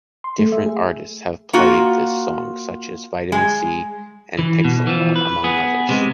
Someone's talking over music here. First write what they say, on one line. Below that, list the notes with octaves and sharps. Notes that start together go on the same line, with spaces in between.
Different artists have played this song, such as Vitamin C, and Pixie Lott, among others.
C6
A3
E5
G#4
A#3 F4 F#4
G#3
E3
B2
E3 F3
B4
B3 G#4
C3 G#3